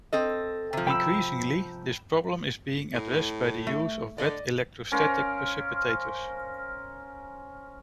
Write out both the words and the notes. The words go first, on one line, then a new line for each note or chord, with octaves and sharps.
Increasingly, this problem is being addressed by the use of wet electrostatic precipitators.
C4 A4 D#5
C3 F3
G5 B5 E6
A2
A3
D3 D5 D#5
C#4 A#4 C5 F5